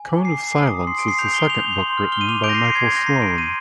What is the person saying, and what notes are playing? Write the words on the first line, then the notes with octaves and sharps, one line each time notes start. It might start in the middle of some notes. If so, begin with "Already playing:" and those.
"Cone of Silence" is the second book written by Michael Sloan.
Already playing: G#5
D6
A#5 C7
D6
D#6
D#6
C6 C7
D7
C6
C7
G6 F7
G6 G7
G6 F7
G6
C6
F6
F6 G7
D#7
D6 F7
G6 D7
A#6
C7
C6
C7
G6 G#6
G#6
G6
A#6
A#5 C7
A#5 D7
C6 D#7